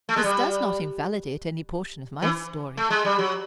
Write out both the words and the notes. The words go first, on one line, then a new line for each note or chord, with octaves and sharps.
This does not invalidate any portion of my story.
A3
G#3
G3
E3
A3
G#3
G3
F#3